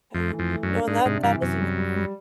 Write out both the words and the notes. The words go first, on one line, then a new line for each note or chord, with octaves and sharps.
Yeah. No, and that that is even harder.
F2 A3
E3
F2
A3
F#2
D4
G#2 D4
G#2 C3
G2 E3
F#2 C3
G3
G3
G3